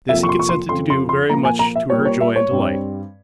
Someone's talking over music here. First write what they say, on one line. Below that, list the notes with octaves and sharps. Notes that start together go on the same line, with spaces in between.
This he consented to do very much to her joy and delight.
F2 C3 F3 A#3 E5
C#6
C6
C#6
C6
F2 C#3 F3 C6
C6
C6
A#2 F3 A#3 A#5
G#5
A#5
E5
A#2 G3 A#3 C#5
C#5
E5
C#5
G2 G3 C4